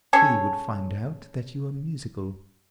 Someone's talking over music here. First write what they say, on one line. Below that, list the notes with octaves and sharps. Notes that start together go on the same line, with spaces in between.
He would find out that you are musical.
C#4 G#4 A4 C#5